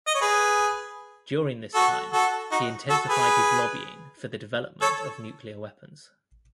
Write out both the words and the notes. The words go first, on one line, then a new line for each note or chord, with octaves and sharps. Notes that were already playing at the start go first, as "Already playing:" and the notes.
During this time, he intensified his lobbying for the development of nuclear weapons.
D#5
C#5
G#4 B4
F#4 A4
F#4 A4
D#4 F#4
F#4 A4
G#4 B4
A4 C#5